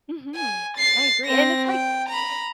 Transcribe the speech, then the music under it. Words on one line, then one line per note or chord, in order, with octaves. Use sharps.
Mhm, I agree, and it's, like,
G#5
A6 C7
C4 A#6
G5
A#5 B5